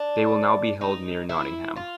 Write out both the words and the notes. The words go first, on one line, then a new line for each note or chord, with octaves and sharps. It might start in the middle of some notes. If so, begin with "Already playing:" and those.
They will now be held near Nottingham.
Already playing: D4
D#4
E4
F4